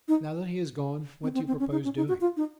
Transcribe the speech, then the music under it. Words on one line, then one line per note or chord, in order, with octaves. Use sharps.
"Now that he has gone, what do you propose doing?"
D#4
C4
C4
C4
C#4
D#4
C#4
D#4
F#4
F4
D#4